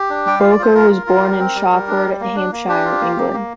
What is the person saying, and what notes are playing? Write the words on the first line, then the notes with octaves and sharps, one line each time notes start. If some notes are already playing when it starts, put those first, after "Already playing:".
Bowker was born in Shawford, Hampshire, England.
Already playing: G4
D4
G3 G5
F4 F5
D5
F4 C5
F4 A#4
F4
F4
G3
C4
G3
G3
D4
G3
A#3
D4
A#3
D4 G4
F4
A#3
A#3
A#3